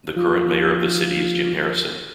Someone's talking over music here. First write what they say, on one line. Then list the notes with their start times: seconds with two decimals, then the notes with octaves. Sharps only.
The current mayor of the city is Jim Harrison.
0.16 F3 F4